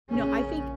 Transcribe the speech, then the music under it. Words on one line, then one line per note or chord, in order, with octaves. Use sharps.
you know, I think
A#1 C#3 C#4
A#2